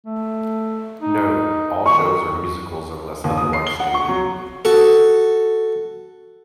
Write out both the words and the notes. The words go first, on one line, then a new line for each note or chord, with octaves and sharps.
Note: All shows are musicals unless otherwise stated.
A3
D#4
D#3 C#6
D#2
D#6
C7
G7
F#5
C#6
F#3
F#4 A4